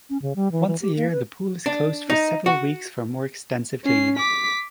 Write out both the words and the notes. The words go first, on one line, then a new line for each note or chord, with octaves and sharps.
Once a year the pool is closed for several weeks for more extensive cleaning.
C#4
C#3
G3
E3
E3
G4
A#3
B4
D4
D#4
F#4
C#4 C7
D6 B6